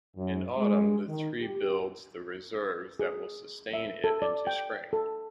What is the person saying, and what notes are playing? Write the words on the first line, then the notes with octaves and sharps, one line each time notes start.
In autumn, the tree builds the reserves that will sustain it into spring.
F#2
G#3
D#3
G4
G#4
E5
A4
D5
G5
A4